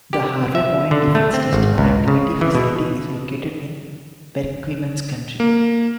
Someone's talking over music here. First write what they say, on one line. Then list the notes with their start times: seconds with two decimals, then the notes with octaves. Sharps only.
The Harvey Point Defense Testing Activity facility is located in Perquimans County.
0.13 G4
0.55 E5
0.91 D3
1.15 A3
1.34 C4
1.53 G#1
1.78 C#2
2.08 C#3
2.41 E3
2.55 B2
5.40 A#3